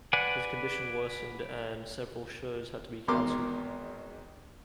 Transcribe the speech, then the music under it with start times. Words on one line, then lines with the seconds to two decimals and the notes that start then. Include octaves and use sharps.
His condition worsened and several shows had to be canceled.
0.13 B4 D5 F#5 G#5
3.08 G#1 E2 B2 A#4 C6 D6